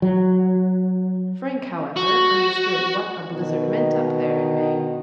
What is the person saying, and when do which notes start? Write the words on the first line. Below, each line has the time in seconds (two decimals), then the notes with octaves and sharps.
Frank, however, understood what a blizzard meant up there in Maine.
0.02 F#3
1.96 F#4
3.32 B2 D#3